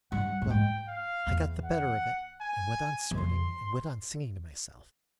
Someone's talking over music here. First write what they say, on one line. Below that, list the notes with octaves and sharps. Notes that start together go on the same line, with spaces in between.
Well; I got the better of it, and went on sorting, and went on singing to myself.
G2 F#5
A2
G#2 G5
F5
E2
F#5
G#5
E2
F2 C6